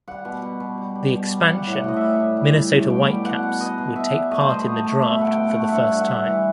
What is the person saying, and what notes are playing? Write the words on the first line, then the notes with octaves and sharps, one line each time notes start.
The expansion Minnesota Whitecaps would take part in the draft for the first time.
G3 F#5
B2
B2
B2
G3
G3
B2
G3
G3 F#5
A2
F#5
A2 D#5
G3 E5
A2
G3
G3
A2
B2 G5
G3
B2 F#5
B2
B2 D#5
B2
B2 E5
G3
A3 D#5
C5
B2 D#5
A3
A3
B2 E5
B2 F#5 G5
B2
F#5
A3
G2 E5 F#5
G2
F#5
G3 E5
E3